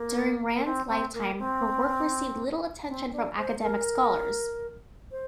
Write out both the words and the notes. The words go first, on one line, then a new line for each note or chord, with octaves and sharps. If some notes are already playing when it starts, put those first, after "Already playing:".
During Rand's lifetime her work received little attention from academic scholars.
Already playing: A#3
A#3
C4
C4
A#3
C4
C4
D4
C5
A#4
C5